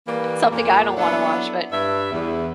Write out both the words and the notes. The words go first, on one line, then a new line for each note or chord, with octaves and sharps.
but something I don't wanna watch, but
E3 G3 A#3
F2 A#2 A#3
F#3 B3 D4 E4 A4
G2 E5
E2